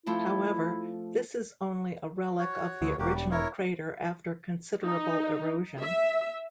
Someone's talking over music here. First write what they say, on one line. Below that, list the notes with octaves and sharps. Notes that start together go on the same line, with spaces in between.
However, this is only a relic of the original crater after considerable erosion.
F3 A3 C4 E4
F#4 C#5
D2
E1 A#3 F#4 G4
G3
E4 A#4 C#5
D#4
E5